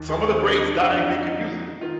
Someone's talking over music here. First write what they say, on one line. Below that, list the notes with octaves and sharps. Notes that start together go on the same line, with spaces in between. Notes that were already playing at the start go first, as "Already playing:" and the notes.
some of the greats died making music,
Already playing: D#2 D#3
G#4
C4
D4
D4
D#4
D4
F2 D3 D#4
D4
D#4
D#4
D#3 F4